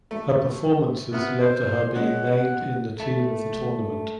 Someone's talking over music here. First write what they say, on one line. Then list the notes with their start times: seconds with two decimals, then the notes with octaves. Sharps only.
Her performances led to her being named in the Team of the Tournament.
0.11 A3
1.13 C3 B3 F6
1.42 C5
1.95 G#3 C#4 F#5
3.00 A3